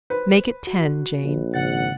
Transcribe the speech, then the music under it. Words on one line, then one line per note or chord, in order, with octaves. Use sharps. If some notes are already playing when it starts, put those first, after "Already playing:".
"Make it ten, Jane."
B4 C5
F#4
A#1
G#1 C#3 F#5 A6